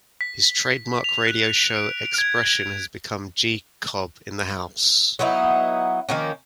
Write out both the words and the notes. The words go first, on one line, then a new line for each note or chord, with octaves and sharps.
His trademark radio show expression has become G Cobb in the House!
B6
F7
F#6
D7
G#6
F#3 B3 D#4 E4
D#3 F3 A#3 C#4